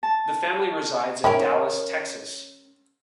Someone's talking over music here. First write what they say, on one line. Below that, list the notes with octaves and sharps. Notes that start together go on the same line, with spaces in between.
The family resides in Dallas, Texas.
A5
D#3 C#4 E4 A#4